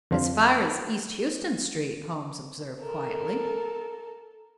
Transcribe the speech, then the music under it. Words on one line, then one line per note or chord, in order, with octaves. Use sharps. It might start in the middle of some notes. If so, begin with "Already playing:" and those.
"As far as East Houston Street," Holmes observed, quietly.
F2 D3 F3 C5 F5
A4 A#4